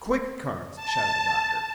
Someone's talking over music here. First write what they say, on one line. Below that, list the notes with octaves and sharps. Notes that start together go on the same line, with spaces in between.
"Quick, Carnes!" shouted the doctor.
A5